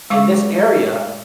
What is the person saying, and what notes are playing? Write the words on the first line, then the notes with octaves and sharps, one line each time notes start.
in this area
G#3 F5 C#6 D6